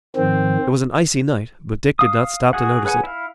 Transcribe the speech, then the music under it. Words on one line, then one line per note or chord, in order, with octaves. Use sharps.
It was an icy night, but Dick did not stop to notice it.
G#2 D#3 F3 C4
F5 D#6
F#4 G#4 F#5
G#4 B4 C#5 F#5 G#5
E4 F5